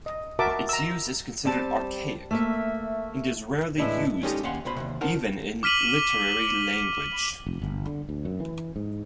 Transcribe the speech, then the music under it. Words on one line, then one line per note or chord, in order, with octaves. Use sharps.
Its use is considered archaic and is rarely used even in literary language.
D#5
F#4 A#4 E5 A5 D6
A#5 E6
G3 C4 A5
A3 A#3 E5
A2 E3 G#3 D4 E4
G#3 C#4 D#4 G4 A4 D#5
D#2 C#4 F5 F#5 C6
C2 B2 C5 B5
D#2 G#2 C3
D#4 A#4 C5 F#5 A5
D6 F6 B6 D#7 F#7
F1
G1
D3
D2
F#2
E3
G#2